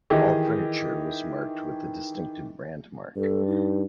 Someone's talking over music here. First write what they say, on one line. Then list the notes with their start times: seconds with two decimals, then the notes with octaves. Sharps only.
All furniture was marked with the distinctive brand mark.
0.10 D#3 E3 G4 G#4 D#5
3.16 G2 A4
3.47 D#4